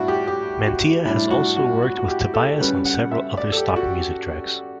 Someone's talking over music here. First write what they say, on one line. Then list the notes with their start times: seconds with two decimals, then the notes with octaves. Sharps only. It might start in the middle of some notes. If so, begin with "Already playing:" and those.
Mantia has also worked with Tobias on several other stock music tracks.
Already playing: A2 G3 D4 E4 F#4
0.08 G4
0.27 G4
0.66 F#4
1.05 A2 G3 D4 E4
1.31 F#4
1.56 F#4
1.82 F#4
1.98 F#4
2.08 G4
2.34 A4
2.60 C#3 G3 C#4 B4
2.85 F#5
3.12 E5
3.37 D5
3.52 A4
3.57 G4
3.76 F#4